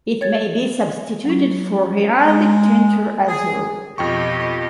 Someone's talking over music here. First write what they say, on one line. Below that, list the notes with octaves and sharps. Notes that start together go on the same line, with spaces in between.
It may be substituted for heraldic tincture azure.
C#5 G#6 A6
F#3 C#4
G#3
G#4
F2 B2 G4 D#5 G5 C#6